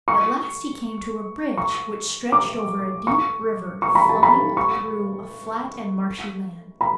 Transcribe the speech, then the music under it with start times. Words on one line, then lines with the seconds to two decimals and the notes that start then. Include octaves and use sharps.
At last he came to a bridge which stretched over a deep river flowing through a flat and marshy land.
0.08 C#6
1.57 C#6
2.32 D6
3.07 C#6
3.82 C#6
3.95 B5
4.09 A5
4.23 B5
4.57 C#6
6.81 B5